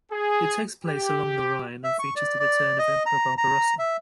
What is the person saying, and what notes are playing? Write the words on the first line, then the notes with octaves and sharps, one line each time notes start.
It takes place along the Rhine and features the return of Emperor Barbarossa.
G#4
G4
E5
C#6
D5
D5
D#5
A#5
A#5
E5